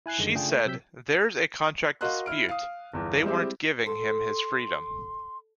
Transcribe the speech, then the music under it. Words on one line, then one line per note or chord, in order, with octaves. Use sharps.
She said There's a contract dispute, they weren't giving him his freedom.
E4 G#5 F#6 C7
F#2 D3 D#3 G#3
C#3 A3 D4 F4 G#4 G5
A3
C3 F#3 C4 E6 G6 B6
F#4 A#4 D#5 F5 C6 F#6
E4 F6 D7
F5 D#6
G1 E2
G3 G#3 C4 E4 G4
A4 C6